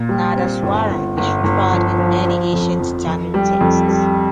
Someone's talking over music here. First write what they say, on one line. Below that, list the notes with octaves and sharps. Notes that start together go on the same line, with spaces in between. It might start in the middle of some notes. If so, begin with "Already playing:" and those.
Nadaswaram is referred in many ancient Tamil texts.
Already playing: A#2
G3
C4
G1
G1
G1
G1
F3
F3
F3
F2
F2
F2
G3
F2
G3